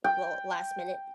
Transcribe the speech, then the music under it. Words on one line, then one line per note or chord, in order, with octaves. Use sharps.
Well, last minute.
G5